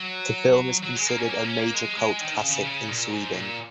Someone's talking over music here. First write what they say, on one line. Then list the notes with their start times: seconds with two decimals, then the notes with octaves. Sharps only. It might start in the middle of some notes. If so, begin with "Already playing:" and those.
The film is considered a major cult classic in Sweden.
Already playing: F#3
0.83 F#3
0.96 G#3
1.06 A#3
1.18 C#4
1.29 A#3
1.44 C#4
1.59 A#3
1.74 G#3
1.98 G#3
2.21 D#3
2.35 C#3
2.50 C#3
2.65 C#3
2.89 A#2
3.11 G#2
3.34 A#2